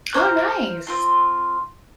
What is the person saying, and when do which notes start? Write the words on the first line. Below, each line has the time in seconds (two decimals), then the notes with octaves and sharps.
Oh, nice.
0.14 C5 A#5 F6
0.87 C4 F4 C6